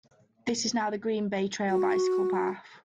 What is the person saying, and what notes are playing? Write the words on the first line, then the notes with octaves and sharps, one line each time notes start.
This is now the Green Bay Trail bicycle path.
F#4